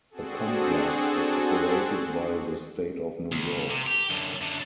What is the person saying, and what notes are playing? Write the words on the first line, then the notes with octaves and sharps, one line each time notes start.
The complex is operated by the state of New York.
C4 D4 F#4 G#4 A4
C#2
C3
G4
F#2 D3
F#2 D3